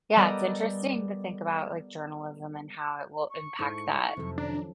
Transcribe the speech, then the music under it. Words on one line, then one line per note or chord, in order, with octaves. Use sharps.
yeah, it's interesting to think about, like, journalism and how it will impact that
G3 B3 A4 A#4 D5 D#5
C#6
G#2 D#4 E4 A4
F2 C3 F#3 A4
D#3 F3 C#4 D4 A#5